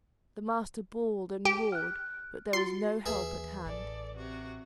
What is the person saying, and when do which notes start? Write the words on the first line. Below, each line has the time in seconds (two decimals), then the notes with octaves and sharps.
The master bawled and roared, but there was no help at hand.
1.45 G4
1.72 F6 F#6
2.53 F4 F#4 C6 A6
3.06 D#2 E3 G#4 B4 E5
3.65 A1 A4 D5
4.17 C3 F#4